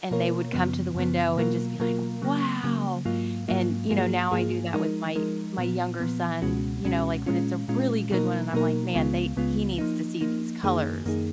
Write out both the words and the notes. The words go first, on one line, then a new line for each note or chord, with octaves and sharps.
and they would come to the window and just be like, "Wow!" and, you know, now I do that with my my younger son, you know, like, when it's a really good one and I'm like, "Man, they he needs to see these colors."
B2 A#3 F4 A#4 C#5
F#2 C#3 F3 B3
F#2 C#3 F3 B3
B2 F#3 A#3 F4 A#4
B2 F#3 A#3 F4 A#4
C#3 F#3 A#3
C#3 F#3 A#3
G#2 F#3 A#3 F4
G#2 F#3 A#3 F4
G#2 F3 A#3 F4 G#4
G#2 F3 A#3 F4 G#4
F3 G#3 D#4 A#4
F3 G#3 D#4 A#4
A#2 F3 B3
A#2 F3 B3
C#2 B2 G#3 C#4 F#4
C#2 B2 G#3 C#4 F#4
A#2 G#3 C#4 F4
A#2 G#3 C#4 F4
B2 F#3 A#3 D#4 A#4
B2 F#3 A#3 D#4 A#4
C#2 C#3 G#3 B3 F4
C#2 C#3 G#3 B3 F4
F3 A#3 D#4
F3 A#3 D#4
F#2 D#3 A#3 D#4 G#4
F#2 D#3 A#3 D#4 G#4